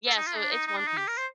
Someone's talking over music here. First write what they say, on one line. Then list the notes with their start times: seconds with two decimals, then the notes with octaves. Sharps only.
Yeah, so, it's One Piece.
0.07 A4
0.17 D#4
0.27 F4
0.37 D4
0.52 D#4
0.67 D#4
0.78 D4
0.87 D#4
0.97 G4
1.08 A#4
1.17 C5